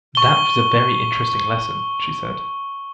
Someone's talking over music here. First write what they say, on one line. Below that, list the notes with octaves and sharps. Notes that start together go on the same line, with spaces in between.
"That was a very interesting lesson," she said.
C#6 G7